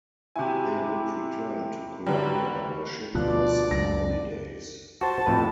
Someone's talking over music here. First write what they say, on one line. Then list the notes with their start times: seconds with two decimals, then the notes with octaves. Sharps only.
They would return to Colombia by ship for summer holidays.
0.36 C3 E4 F#4 G4 G#5
2.06 D3 F#3 G3 B4 C#5
3.15 D2 B2 F3 D4 D5 F#6
3.71 C#2 F#2 A#6
5.01 F#4 C5 A5
5.26 F2 A2 B4